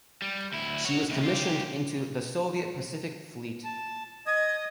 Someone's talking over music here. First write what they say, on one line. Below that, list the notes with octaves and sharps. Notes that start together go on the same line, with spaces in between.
She was commissioned into the Soviet Pacific Fleet.
G3
D2 E4
F#4 C#5
D#2 C3
F4 G4
A5
D#5 D#6 G#6